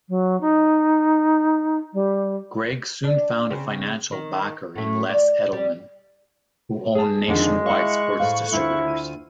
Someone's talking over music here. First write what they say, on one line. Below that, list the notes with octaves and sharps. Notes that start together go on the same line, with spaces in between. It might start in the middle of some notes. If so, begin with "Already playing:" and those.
Greg soon found a financial backer in Les Edelman, who owned Nationwide Sports Distributors.
F#3
D#4
G3
D4
C#3 C4
D#3
A2 A3
D5
G3
G#4 A5
F2 D3 D#3 G#3
E4 F5 C#6 F#6
A2 C5 F5
D2 E4 F4 C5
D#7